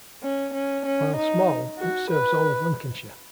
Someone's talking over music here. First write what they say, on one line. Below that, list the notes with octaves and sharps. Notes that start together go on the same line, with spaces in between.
While small, it serves all of Lincolnshire.
C#4
C#4
C#4
D#4
F#4
B4